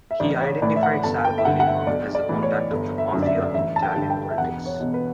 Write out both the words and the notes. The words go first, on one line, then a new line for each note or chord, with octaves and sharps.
He identified Salvo Lima as the contact of the Mafia in Italian politics.
E5
A1 D5
C#5
A2 E3 D5
E5
F#5
G1 A5
G5
E5
G2 D3 F#5
F#5
E5
B1 D5
D5
A2 E3
C#5
G1
E5
F#2 D3
D5
E5
D5
A1 E5
A5
G5
G2 D3
G5
E5
E1 F#5
C#5
E2 B2
B4